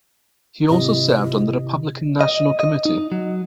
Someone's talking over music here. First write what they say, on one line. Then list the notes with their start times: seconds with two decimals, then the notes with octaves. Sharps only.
He also served on the Republican National Committee.
0.69 G#1 C3 E4 D#5
2.21 D#5
2.60 D#5
2.85 D#4
3.12 F#3